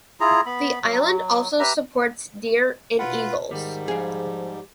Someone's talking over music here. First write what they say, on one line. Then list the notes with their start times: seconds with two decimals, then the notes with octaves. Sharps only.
The island also supports deer and eagles.
0.20 E4 F4 G#4 A#5
0.46 B3 B5
0.82 F#3
1.60 G4 B4 E5 A#5
2.99 B2 F4 B4 F#5
3.51 G#2 D#3 G3
3.88 F3 G#4 F5